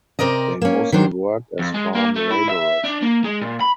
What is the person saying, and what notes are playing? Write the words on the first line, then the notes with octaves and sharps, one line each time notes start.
They mostly work as farm labourers.
C3 C4 A#4 D5 D#5
A#3 C#4
D#3 F#3 D4 C5
F2
G#3
A#3
A3
E4
E5
D4
A#3
G#3
A#2
B5